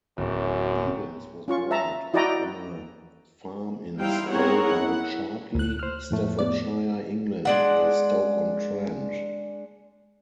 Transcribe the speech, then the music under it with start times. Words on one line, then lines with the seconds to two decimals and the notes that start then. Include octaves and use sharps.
Evans was brought up on a farm in Stowe-by-Chartley, Staffordshire, England, near Stoke-on-Trent.
0.18 D1 F#2
1.48 C#4 F4 C#6
1.71 E5 A5 A#5
2.14 E4 F#4 D5 D#5 G5 A#5
3.99 G3 D#4 E4 C5 F5 G5
4.30 B3 C4 G#4 A#4 C#5 F#5
4.64 E4 F#5
5.55 D2 F#6
5.79 C5 F6
6.11 F2 A2 A3
6.39 B3 D5
7.45 G#3 D4 F#5